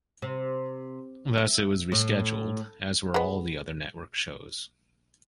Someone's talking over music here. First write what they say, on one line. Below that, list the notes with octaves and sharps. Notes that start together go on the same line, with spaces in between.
Thus it was rescheduled, as were all of the other network shows.
C3
E5
A2
G#3 B3